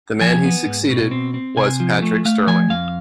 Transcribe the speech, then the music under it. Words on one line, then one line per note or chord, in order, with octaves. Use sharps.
The man he succeeded was Patrick Stirling.
F3 G#5
B3
G#2
B2
C4
C4
C3 G#5
F3
A3
A3 F5
F3 G#5
F2 F5